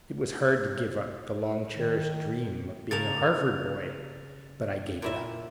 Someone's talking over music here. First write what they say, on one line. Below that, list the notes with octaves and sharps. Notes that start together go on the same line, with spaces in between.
It was hard to give up the long-cherished dream of being a Harvard boy; but I gave it up.
D#3
C#3 A#3 A5 A6 F7
A#2 E4 E5